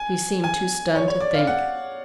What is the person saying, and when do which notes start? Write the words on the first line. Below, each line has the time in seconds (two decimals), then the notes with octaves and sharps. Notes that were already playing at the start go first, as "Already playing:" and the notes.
He seemed too stunned to think.
Already playing: G#5
0.44 G#5
0.95 C#5
1.08 C#5
1.21 D5
1.34 F5
1.47 F#5